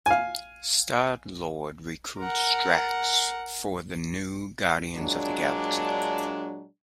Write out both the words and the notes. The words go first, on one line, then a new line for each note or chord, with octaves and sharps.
Star-Lord recruits Drax for the new Guardians of the Galaxy.
F5 G#5
A#4 F#5
A#2 F#3 G#3 D4